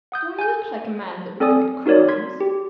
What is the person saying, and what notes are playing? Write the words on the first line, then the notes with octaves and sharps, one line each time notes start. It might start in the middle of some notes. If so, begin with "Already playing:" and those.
"Do I look like a man that would commit crimes?"
F#5 D#6 G6
G#5 G6
C4 A4 D5 G#5 D#6
D#4 F#4 A#4 C#5 D5
C6 G#6 B6
G4